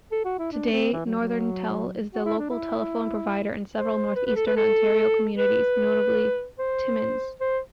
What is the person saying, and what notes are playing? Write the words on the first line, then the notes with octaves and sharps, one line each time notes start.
Today, NorthernTel is the local telephone provider in several Northeastern Ontario communities, notably Timmins.
A4
F#4
E4
D4
C4
E3
F#3
F#3
F#4
E4
D4
E4
C5
B4
B4
A4
B4
A4
B4
C5
C5